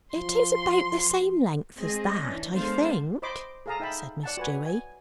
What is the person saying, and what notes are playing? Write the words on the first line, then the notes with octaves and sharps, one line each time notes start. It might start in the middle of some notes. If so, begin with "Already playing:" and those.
"It is about the same length as that, I think," said Miss Dewy.
F3 C6
G#3 C4 G#4 D#5
E3 C#4 D4
G#3 B3 D4 A4 C5 F5
C5 D#5 B5 C6 D6
G#4 A4 F5 A5 A#5 D#6
D#4 E5 G5 A5 B5
D5 F#5 A5
F#4 B4 G#5
G#5